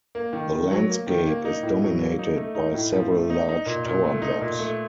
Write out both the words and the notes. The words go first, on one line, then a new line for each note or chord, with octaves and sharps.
The landscape is dominated by several large tower blocks.
A#3
D#3
D#3
F#3
A#3
D#3
A#3
D#4
A2
F#3
A#3
D#4
A3
D#4
A2
F3
A3
D#4
D#4
A#2
A#2
A3
D#4
A#2
A3